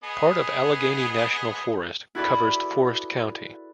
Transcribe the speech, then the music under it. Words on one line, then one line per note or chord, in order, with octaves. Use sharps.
Part of Allegheny National Forest covers Forest County.
B3 G#4 D#5
E4 F#4 G#4 A4 B4 D5